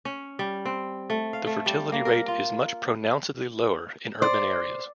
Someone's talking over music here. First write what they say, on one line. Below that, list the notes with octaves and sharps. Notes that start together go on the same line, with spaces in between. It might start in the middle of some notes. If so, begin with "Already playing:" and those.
The fertility rate is much pronouncedly lower in urban areas.
C#4
G3
C4
A3
F5
A3
G3
A#3
A#4
F4
C5 D5